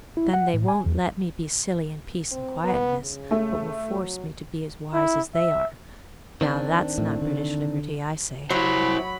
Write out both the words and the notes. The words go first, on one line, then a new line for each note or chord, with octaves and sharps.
But then they won't let me be silly in peace and quietness, but will force me to be as wise as they are; now that's not British liberty, I say.
E4
F#5
A2
G#5
E2
C4
B3
C#3
A3
F#3
E4
E5
D#3 C4 D4
A2
D3
F#3 E4 C5 B5